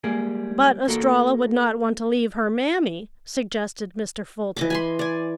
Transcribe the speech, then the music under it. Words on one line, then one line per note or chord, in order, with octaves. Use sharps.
"But Estralla would not want to leave her mammy," suggested Mr. Fulton.
G3 G#3 A#3 G#4
A#3 F#4 A4 A#4
E3 D#5 D6
G#5 B5 C6
D5 G#5